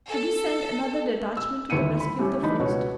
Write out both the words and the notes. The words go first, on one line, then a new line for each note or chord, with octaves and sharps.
Should he send another detachment to the rescue of the first?
A4
E6
G1 D#2 E4 C#7 D#7
B5
A2 G3 A3 C#4
E3 D4 D#4 B5
C#2 B2 F#4 C#5